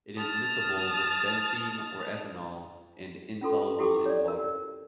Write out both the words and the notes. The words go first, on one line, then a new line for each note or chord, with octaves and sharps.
It is miscible with benzene or ethanol and insoluble in water.
A5 D#6 F6 A6
C#4 F4 A4 C6
E4 F#4 G4 A4 G5 D6
C#5 D5
A#4